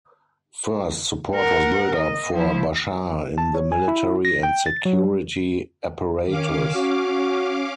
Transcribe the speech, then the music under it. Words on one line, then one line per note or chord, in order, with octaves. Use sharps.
First, support was built up for Bashar in the military and security apparatus.
A#4 F#5
D#5
F3 E4
A5
C#5
G#5
E4
A#6
G5
A6
F#3
G3
D#3 C#4 F5 D6
F#4